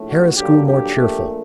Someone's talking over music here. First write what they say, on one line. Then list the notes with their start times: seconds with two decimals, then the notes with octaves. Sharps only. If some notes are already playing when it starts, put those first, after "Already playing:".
Harris grew more cheerful.
Already playing: A#1 A2 A3
0.08 F#4
0.36 G2 D3 F#3 A#3 G4
0.66 G4
0.95 A#1 A#2 A3